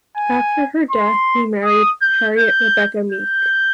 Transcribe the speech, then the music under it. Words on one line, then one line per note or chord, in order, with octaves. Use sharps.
After her death, he married Harriet Rebecca Meek.
G#5
C6
D#6
G6
G6
G6